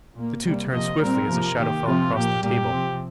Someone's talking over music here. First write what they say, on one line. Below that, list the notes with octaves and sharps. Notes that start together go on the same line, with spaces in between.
The two turned swiftly as a shadow fell across the table.
A#2 A#3
C3 G3 A#3
C3 F3 A#3 D#5
A#2 G3 C4 A#4
C3 F3 A#3
D#3 A#3 G4
C3 F3 C4 F4
A#2 F3 A#3 G4
A#2 G3 A#3 G4
C3 F3 C4